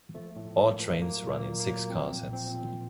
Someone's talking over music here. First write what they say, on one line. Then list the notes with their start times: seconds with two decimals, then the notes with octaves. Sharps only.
All trains run in six-car sets.
0.14 F3 A3
0.36 A2
0.58 A2 A#3
0.80 F3
1.02 F#3 A#3
1.24 A#2
1.31 A#3
1.46 A#2
1.60 A#3
1.68 F#3
1.89 F3 C4
2.11 A#2
2.33 A#2 C4
2.55 F3